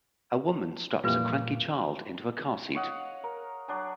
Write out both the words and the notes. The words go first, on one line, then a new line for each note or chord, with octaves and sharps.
A woman straps a cranky child into a car seat.
F2 A#2 E3 G3 A#3 F4 B4
C#5 D#5 F5 F#5
A#4
F#3 D4 G#5